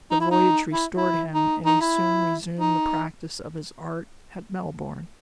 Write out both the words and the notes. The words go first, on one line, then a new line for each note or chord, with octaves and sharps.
The voyage restored him, and he soon resumed the practice of his art at Melbourne.
D#4
E4
D#4
E4
E4
D#4
D#4
E4
D#4